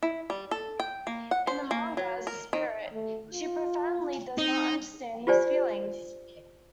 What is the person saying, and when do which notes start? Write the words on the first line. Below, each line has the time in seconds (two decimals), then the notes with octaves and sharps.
In the manga, as a spirit, she profoundly does not understand these feelings.
0.03 E4
0.30 G3
0.51 A4
0.80 G5
1.07 A#3
1.31 F#5
1.47 C5
1.71 A#3
1.97 F#3
2.27 A#4
2.53 D#3
2.93 A3
3.33 F4
4.38 C4 D#4
5.27 F4 G4 C5 D5 G#5